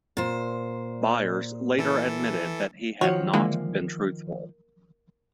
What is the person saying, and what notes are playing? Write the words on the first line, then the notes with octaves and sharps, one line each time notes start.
Byers later admitted that he had not been truthful.
A#2 C5
E3 A4
D#3 F3 F#3 C#5
D3 E3 G#3 A#3